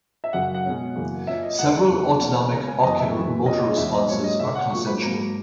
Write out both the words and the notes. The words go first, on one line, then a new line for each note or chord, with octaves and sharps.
Several autonomic ocular motor responses are consensual.
E5
F#2 C#3 F#3 F#5
F#5
B2 G#3 C#4
F#2 C#3 E3 A#3
A#2 A#3 C#4 E5
D#5
E2 C#3 G#3 F#5
E2 C#3 F#3 B3
C#3 E3 A#3 C#4
C#3 G#3 C#4 A#5
G#5
F#2 E3 B3 D#5
E5
F#2 E3 B3
A#2 A#3 C#4 D#5
D#5
E2 B2 G#3 C#4 E5
D#5
G#2 F#3 A#3 C#4 C#5
D#5
C#3 G#3 C#4 E5
F#5
A#2 F#3 A#3 C#6
B5
G#2 F#3 A#3 A#5